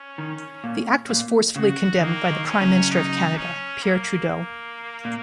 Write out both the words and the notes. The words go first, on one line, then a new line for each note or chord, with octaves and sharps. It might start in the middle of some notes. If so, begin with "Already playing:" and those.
The act was forcefully condemned by the Prime Minister of Canada, Pierre Trudeau.
Already playing: C#4
D#3
A#2
A#2
C#3 F#4
D#3 A#3
D#3
C#4
C#3 F#3
D#4
C#4
A#3
A#3
A#2